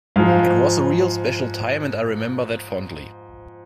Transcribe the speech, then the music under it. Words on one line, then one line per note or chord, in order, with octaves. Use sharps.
It was a real special time and I remember that fondly.
G#2 F3 F5